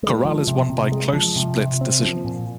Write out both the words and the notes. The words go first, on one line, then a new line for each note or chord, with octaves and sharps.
Corrales won by close split decision.
G#3
F3
C3
C3
G#3
F3
C3
C3
C4
F3
A#2